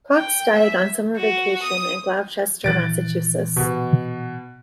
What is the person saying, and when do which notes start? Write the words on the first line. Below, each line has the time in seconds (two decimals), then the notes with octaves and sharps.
Cox died on summer vacation at Gloucester, Massachusetts.
0.15 G5
0.55 E5
1.16 F#4
1.62 D#6
2.64 A#2 D#3 E3 F#6 A6 D7
3.56 B2